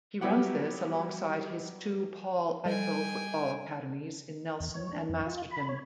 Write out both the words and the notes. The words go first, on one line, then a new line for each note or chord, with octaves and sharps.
He runs this alongside his two Paul Ifill Football Academies in Nelson and Masterton.
F#3 G3 B3 E4 G4 F#5
G3 A4 D#5 G5 G#5
E2
C#5
D4
F2
F4
B5
C#5